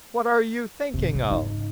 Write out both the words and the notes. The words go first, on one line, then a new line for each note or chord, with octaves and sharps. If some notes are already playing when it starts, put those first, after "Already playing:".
'What are you thinking of?'
F2 G#2 C3
F#2 C#3
G#2 C#3 D#4